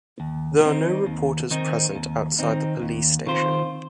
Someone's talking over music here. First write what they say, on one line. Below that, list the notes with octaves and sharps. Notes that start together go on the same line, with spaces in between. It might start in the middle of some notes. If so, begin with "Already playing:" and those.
There are no reporters present outside the police station.
D#2
D#3 C4 D#4
D#2
D#3 C4 D#4
D#2
D#3 C4 D#4
D#2
D#3 C4 F4 C5